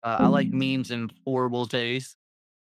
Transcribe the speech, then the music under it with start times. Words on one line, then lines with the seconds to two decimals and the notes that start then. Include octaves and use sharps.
Uh, I like memes in horrible taste.
0.19 F3 G#3 C4